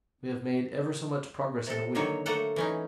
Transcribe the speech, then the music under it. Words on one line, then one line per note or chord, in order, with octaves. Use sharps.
We have made ever so much progress in a week.
C3 A4
D3 D#3 F#3 A#3 C#5
A3 A#3 A4 F#5
E3 C#4 D#4